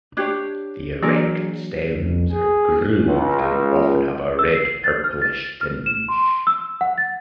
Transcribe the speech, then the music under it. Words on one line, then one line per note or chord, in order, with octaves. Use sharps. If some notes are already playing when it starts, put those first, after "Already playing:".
The erect stems are grooved and often have a red-purplish tinge.
D4 G4 C#5 D6 F#6 G#6
E3 F#3 A#3 D4 G#4 A#4 D5
F2
G#4
C#2
E6
C7
A6
F6
A6
F6
E7
C6
E6
F#5
A6